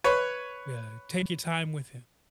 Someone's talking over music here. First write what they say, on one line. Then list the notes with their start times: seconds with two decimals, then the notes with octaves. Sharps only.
yeah, take your time with him.
0.04 B4 C#5